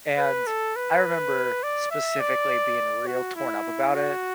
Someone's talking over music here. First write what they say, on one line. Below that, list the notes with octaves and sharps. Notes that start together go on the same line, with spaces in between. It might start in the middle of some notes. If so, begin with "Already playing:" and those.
And I remember specifically being real torn up about it,
B4
A4
B4
D5
E5
D5
F#4
E4
F#4